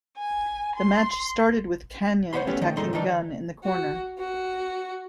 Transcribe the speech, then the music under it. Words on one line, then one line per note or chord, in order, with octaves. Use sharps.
The match started with Kanyon attacking Gunn in the corner.
G#5
C6
C5 C#5 E5 F#5 B5 C6
A3 B3 C#4 G4
D#3 A3
F#2 A#2 G#3 D#4 A4 C6
D#3 E3 D4 D#4 F#4 A4
F#4
F#4